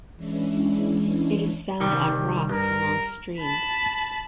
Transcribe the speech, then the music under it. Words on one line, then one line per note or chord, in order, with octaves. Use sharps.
It is found on rocks along streams.
E3 G#3 C#4 D4 E4
C2 D#3 G3
G2 A#4
A5 B5